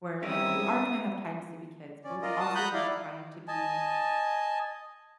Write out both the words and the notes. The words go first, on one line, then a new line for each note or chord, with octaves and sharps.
Where like, we are going to have times to be kids, but we also need time to be,
G3 C4 C#4 D#4 E4 A#4 E5 D#6
C#4 D5
F4 A#4 D5 D#5
F#4 A5 D#6
F#5 A#5 B5 D#6 F#6 G6
E4 D5 F5
D#5 G#5 A5